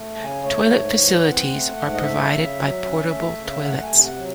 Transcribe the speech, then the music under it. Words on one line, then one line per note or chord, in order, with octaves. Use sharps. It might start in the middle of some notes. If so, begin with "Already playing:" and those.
Toilet facilities are provided by portable toilets.
Already playing: A3
C#3 A5
G#5
A3 C#5
G#2
E3
C4 F#5
A3
G#2
D#5
A3 E5
C#3
F#3
C#4
A3
C#3
A3 F#5
G#5
C3
F#5
F#3